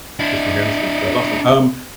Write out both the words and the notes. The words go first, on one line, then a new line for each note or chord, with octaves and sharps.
He's from here in the states. That's awesome. Um,
D4 E4